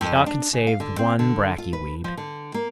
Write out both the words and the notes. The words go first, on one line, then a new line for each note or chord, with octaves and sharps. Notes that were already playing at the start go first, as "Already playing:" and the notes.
Doc had saved one bracky weed.
F2
D4
C#3
F5
D3
C4
D3
F4
B4
F3
D3
A#3